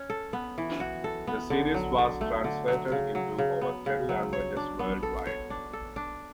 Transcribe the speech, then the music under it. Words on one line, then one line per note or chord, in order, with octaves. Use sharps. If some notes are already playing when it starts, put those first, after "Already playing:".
The series was translated into over ten languages worldwide.
Already playing: C#4
A4
B3
E3
F#4
A4
B3
D3
F#3
D3
A3
D3
F#3
C#3
F#3
C#3
B3
C#3
F#3
C#5
D4
B3
A4
C#5
D4
A4
D4